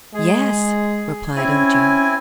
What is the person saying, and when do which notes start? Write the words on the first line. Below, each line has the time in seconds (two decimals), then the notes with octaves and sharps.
"Yes," replied Ojo.
0.14 G#3 G#4
1.36 C4 C#4 E4 G#5